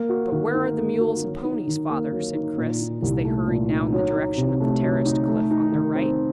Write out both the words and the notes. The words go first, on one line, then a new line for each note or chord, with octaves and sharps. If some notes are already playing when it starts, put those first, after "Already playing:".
"But where are the mules and ponies, father?" said Chris, as they hurried now in the direction of the terraced cliff on their right.
Already playing: A#3
F#4
D#3
D#4
A#3
F#4
F#3
D#4
D#3
A#3
F#3
D#4
A#2
D#4
C2
A3
A#2
D#4
F#3
D#4
C3
A3
F#3
D#4
A3
D#4
D#3
C4